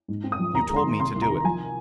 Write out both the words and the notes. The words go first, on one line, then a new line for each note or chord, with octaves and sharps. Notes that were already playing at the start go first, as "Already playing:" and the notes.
"You told me to do it."
G#2
C4
D#6
F3
D#2 A#5
G#3
C6
D#3
C3 C6
C2
A#5
D#3
F3 G#5